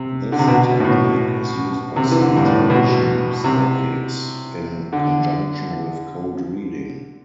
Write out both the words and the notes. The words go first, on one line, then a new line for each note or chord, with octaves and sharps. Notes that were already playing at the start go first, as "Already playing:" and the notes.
This technique is used by some television psychics in conjunction with cold reading.
Already playing: C3
D3
C3
B2
A2
B2
C3
E3
D3
G2
A2
B2
C3
D3